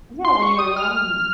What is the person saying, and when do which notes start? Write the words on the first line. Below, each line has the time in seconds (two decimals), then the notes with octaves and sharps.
Yeah, when you were young, and
0.25 C6
0.42 C#6
0.59 D#6
0.76 F6